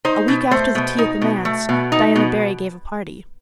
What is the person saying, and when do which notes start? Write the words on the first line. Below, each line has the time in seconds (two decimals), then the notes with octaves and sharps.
A week after the tea at the manse Diana Barry gave a party.
0.05 D#4 C5
0.28 B2
0.51 A3 C5
0.75 B2
0.98 D#4
1.22 B2
1.45 A3
1.69 B2
1.92 D#4
2.16 B2